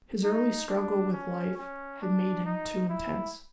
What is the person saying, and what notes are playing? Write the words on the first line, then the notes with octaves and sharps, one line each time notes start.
His early struggle with life had made him too intense.
D#4
D4
C#4
C#4
D4
D#4
E4